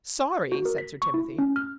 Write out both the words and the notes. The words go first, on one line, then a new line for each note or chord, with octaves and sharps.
"Sorry!" said Sir Timothy.
F#4
A#4
B6
C#6
E4
C#4
F6